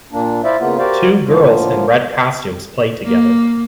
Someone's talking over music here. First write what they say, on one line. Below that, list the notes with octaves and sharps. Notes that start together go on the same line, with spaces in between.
Two girls in red costumes play together.
A#2 A#3 D4
E4 C5 D5 E5 F5
C#3 A#3 B3 F4
F#4 G4 A#4 C5 D5 F5
A2 D3 F3 A#3 F4
A#3